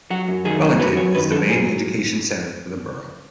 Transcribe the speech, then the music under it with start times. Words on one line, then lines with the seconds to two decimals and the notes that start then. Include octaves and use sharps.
Wellington is the main education centre for the borough.
0.10 F#3 F#4
0.28 F#2
0.45 D#3 G#4
0.62 F#2
0.79 F#3 B4
0.97 F#2 C#5
1.15 D#3 B4
1.31 F#2 A4
1.49 F#3 G#4